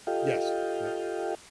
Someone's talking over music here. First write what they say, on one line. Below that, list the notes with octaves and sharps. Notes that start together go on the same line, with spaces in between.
Yes. Yep.
F4 G4 A4 D#5 F5 G5